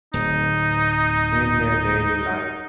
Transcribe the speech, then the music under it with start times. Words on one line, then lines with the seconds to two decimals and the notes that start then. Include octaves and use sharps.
in their daily life.
0.14 D1 D#4